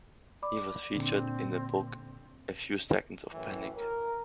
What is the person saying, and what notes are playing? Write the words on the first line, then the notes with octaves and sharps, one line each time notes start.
He was featured in the book "A Few Seconds of Panic".
D5 B5 D6
A#2 D3 C4
F#2 A2 E3
A#4